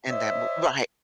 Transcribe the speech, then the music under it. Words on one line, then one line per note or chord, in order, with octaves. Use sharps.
And that mo right.
C5 C#5 D#5 E5